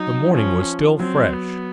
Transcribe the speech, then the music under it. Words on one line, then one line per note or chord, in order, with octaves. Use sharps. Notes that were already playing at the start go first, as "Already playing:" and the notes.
The morning was still fresh.
Already playing: F#3 D#4
E3
F3 C#4
F#3 C4
B3